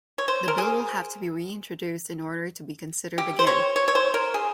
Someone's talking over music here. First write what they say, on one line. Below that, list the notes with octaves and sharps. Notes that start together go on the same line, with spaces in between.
The bill will have to be reintroduced in order to be considered again.
C#5
C5
A#4
G#4
G4
C5
C#5
C#5
C#5
C5
A#4
G#4